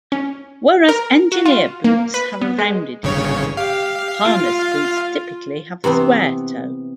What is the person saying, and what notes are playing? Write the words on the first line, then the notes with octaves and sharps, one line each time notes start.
Whereas engineer boots have a rounded toe, harness boots typically have a square toe.
C#4
A#4
F#4
F4
A#3
B4
B3
G#3
G1 C#3 C#5
G4 F5
F4
C3 E3 B3 C4